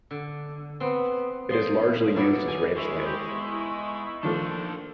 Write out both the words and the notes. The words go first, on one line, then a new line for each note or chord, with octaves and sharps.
It is largely used as ranch land.
D3
B3 C4
F3 D#5 G5 C6
B2 F#3 E4 C#5 D5
D#3 G#5
G#3 E4 C#6
E4 G4
B3 D#4 E4
A#2 D#3 F3 A3 D4 A4 C5